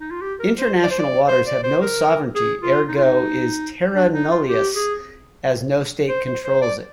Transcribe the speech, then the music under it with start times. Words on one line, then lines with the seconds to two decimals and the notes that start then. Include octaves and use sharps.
International waters have no sovereignty, ergo is "Terra nullius" as no state controls it.
0.01 D#4
0.11 F4
0.22 G4
0.40 A#4
0.58 C5
0.84 D5
0.91 C5
0.99 D5
1.28 C5
1.47 D5
1.64 C5
1.82 A#4
2.35 G#4
2.63 F4
2.89 D#4
2.96 F4
3.03 D#4
3.95 D4
4.14 D#4
4.31 F4
4.49 G4
4.75 G#4
6.09 C5
6.27 C5
6.45 C5
6.62 D5